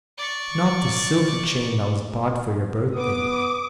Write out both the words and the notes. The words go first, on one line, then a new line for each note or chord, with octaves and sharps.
Not the silver chain that was bought for your birthday?
D5 C#6
B3 D6 D#6